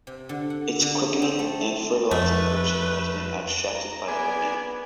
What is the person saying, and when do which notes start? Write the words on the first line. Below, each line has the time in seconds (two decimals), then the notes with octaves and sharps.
Its quickening and fertilizing virtue has been abstracted by the woman.
0.07 C3
0.29 D3
0.50 F#5
0.81 D3
1.22 C4
1.39 A3
2.11 F2 A3 B4
3.75 A#5
4.08 B3 G#4 D5 G#5